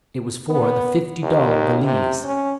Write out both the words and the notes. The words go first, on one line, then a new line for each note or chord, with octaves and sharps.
It was for the fifty-dollar valise.
B3
D#2
C3
C#4